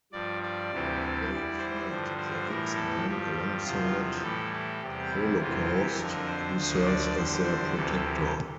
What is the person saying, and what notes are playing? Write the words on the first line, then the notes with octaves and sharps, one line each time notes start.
They fight the X-Men alongside Holocaust who serves as their protector.
G2 F3 D5
D5
D2 C3 E3 G3
E2 E3 G3
C5
G2 D3 F3
C5
A2 E3 G3 A#4
A4
G2 F3 G4
E2 C3 F3 F4
A2 E3 G3 A4
A4
E2 C3 G3 G4
E4
E2 C3 E3 F4
G4
F2 D3 F3 A#4
C5
D2 D3 F3
D5
E2 D3 G3 C5
C5
D2 C3 E3 A4
G4